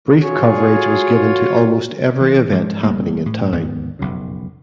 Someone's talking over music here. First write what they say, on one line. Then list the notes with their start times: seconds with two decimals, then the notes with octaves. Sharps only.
Brief coverage was given to almost every event happening in town.
0.22 F4 F#4 G#4 C#5
2.21 E3
2.52 G#2 F3 G#3
2.83 F#1 G3 A3 A#3
3.26 A2
3.52 D1 D#2 G#2 B3
3.99 F1 B1 F#2 C#3